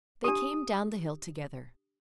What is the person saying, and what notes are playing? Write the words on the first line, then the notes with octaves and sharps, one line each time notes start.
They came down the hill together.
D4 G4 D#6